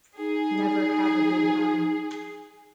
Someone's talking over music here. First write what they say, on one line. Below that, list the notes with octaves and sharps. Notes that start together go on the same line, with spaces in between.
Never have a good time.
D#4 G#4